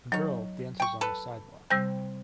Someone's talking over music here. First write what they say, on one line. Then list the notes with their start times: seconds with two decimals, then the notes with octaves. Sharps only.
A girl dances on a sidewalk.
0.12 F#3 D#4 C#5
0.80 G5 C#6
1.01 A4 B4
1.70 C3 G3 C4 G6